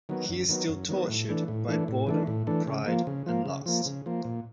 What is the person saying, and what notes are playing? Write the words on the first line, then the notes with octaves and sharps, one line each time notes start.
He is still tortured by boredom, pride, and lust.
D#3 F#3 B3
F#2
D#3 F#3 B3
F#2
D#3 F#3 B3
A2
E3 A3 D4
A2
E3 A3 D4
A2
E3 A3 D4
A2
E3 A3 D4
C#3
F3 A#3
C#3
F3 A#3
C#3
F3 A#3
C#3
F3 A#3
A#2